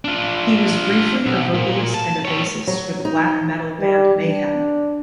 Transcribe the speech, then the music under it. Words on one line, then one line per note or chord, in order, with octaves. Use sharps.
He was briefly a vocalist and a bassist for the black metal band Mayhem.
D4 F4
B1
A#2
A5
G3 C#5
F#3
D#4
G3
D4